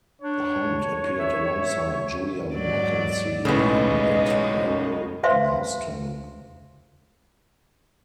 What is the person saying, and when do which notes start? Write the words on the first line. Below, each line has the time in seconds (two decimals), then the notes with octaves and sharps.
Hunt appeared alongside Julia McKenzie in That Beryl Marston...!
0.21 D4 C#5
1.19 E5
2.53 G#2 F#3 D5
3.45 B1 A2 C#3 G#3 A3 B3 D#4
4.27 F#2 F#4
5.23 B4 C5 E5 F5 C6